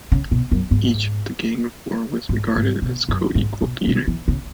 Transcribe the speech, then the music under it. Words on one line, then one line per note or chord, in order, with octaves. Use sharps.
Each of the Gang of Four was regarded as coequal leader.
C#3
B2
F#2
G#2
G#2
G#2
B2
F#2
G#2
B2
B2
E3
C#3